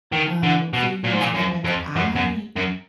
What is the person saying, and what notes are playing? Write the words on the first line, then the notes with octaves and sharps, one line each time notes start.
uh, few years back, I
D#3
D3
B2
A#2
G#2
A#2
F#2
F2
F#2
F#2
F#2